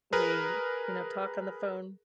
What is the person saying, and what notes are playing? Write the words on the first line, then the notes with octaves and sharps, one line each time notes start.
We, you know, talk on the phone,
G#4 A#4 B4